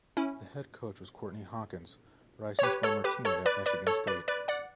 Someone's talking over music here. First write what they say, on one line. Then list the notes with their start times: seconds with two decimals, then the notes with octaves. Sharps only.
The head coach was Courtney Hawkins, Rison's former teammate at Michigan State.
0.17 C#4 E4
2.59 C#5
2.63 G4 B4
2.83 A4 C#5
3.04 G4 B4
3.25 A4 C#5
3.46 B4 D5
3.66 B4 D5
3.87 A4 C#5
4.07 B4 D5
4.28 B4 D5
4.48 D5 F#5